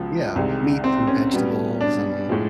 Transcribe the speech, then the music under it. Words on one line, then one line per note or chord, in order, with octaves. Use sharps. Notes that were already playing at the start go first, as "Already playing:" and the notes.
Yeah, meats and vegetables, and
Already playing: C#2 C#3 F3 F#3 B3
C2 C3 D#3 G#3
C4
C#4
B2 G3 B3
D4
A2 F3 G#3